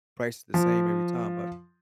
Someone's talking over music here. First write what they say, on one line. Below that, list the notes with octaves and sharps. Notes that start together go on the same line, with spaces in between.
prices the same every time. But,
F3